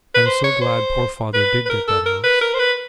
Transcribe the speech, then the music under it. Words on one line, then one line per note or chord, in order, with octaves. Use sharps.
I am so glad poor father did get that house.
B4
C5
C#5
C5
B4
B4
A#4
A4
A#4
B4
A#4
C5
B4